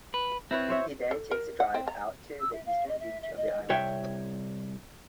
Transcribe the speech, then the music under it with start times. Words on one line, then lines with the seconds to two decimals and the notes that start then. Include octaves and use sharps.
He then takes a drive out to the eastern beach of the island.
0.14 B4
0.51 C4 E4 B4 C#5
0.69 C5 C#5 E5
1.11 A4
1.31 A#4
1.60 F#5
1.74 C4
1.88 A#5
2.39 E6
2.52 E5
2.66 F5
2.88 D#5
2.99 E5
3.22 E5
3.36 D#5
3.69 C2 C3 C#5 E5 G5